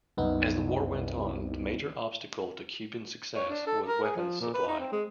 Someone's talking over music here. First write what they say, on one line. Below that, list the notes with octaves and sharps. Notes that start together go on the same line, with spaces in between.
As the war went on, the major obstacle to Cuban success was weapons supply.
C2 F#2 B3 D#4
C#5
D4
A4
A#4
G#4
F3
A#2
B4
D#4
C4
G#3